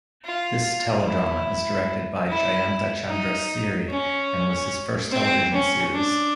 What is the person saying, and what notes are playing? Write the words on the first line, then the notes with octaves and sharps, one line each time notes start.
This teledrama is directed by Jayantha Chandrasiri and was his first television series.
F4
E4
E4
D#4
C#4
C4
C#4
D4